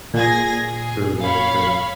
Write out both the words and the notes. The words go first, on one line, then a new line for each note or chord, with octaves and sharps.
True, very true.
A#2 G#4 G#6 A#6
G#4
C#5 F5 B5